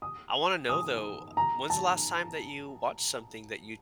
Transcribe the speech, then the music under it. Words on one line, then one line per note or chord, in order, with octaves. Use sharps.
I wanna know, though, uh, when’s the last time that you watched something that you
D#6
D#6
A#5
A5